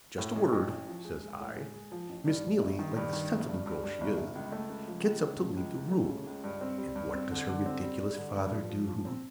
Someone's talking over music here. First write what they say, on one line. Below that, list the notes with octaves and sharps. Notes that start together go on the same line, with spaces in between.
'Just a word,' says I. Miss Neelie, like the sensible girl she is, gets up to leave the room; and what does her ridiculous father do?
A2
A1
A1
A1
F3
G#3
G#3
A2
G#3
G#3
F3
A1
G2
G2
G1
D#3
G2
D#3
G1
G2
G2
G2
G1
G1
C#2
A3
C#2
F3
C#2
C#3
F3
C#2
C#2
A3
C#3
C#2
G2
C4
G3
G2
C4
D3
D3
C4
G3
G3
D3
G2
F3
F3
F3
C4